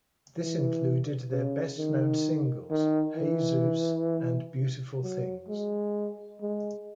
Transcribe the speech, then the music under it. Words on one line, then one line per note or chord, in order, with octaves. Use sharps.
This included their best known singles: "Hey Seuss" and "Beautiful Things".
E3
C#3
D#3
D#3
E3
F#3
G#3
G#3